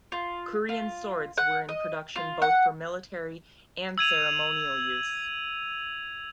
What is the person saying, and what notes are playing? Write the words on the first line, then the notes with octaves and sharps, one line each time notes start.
Korean swords were in production both for military and ceremonial use.
F4
F4
F#5
D#5
F4
F#5
E6 G#6 D#7 F7